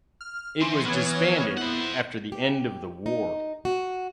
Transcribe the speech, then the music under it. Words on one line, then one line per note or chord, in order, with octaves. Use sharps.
It was disbanded after the end of the war.
F6
E3 C4 C#4 C6
E3 F#3 B3 C#5 F6
F2 E4 C5 F#5
G4
D#4
F#4